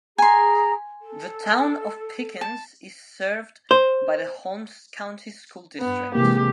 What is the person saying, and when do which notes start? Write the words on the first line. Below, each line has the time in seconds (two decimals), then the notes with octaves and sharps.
The town of Pickens is served by the Holmes County School District.
0.18 G#4 G#5 A#5 C6
1.01 A4
2.41 A5
3.71 C5
5.80 G2 B3
6.15 C3 E3 G#3 A#3 G4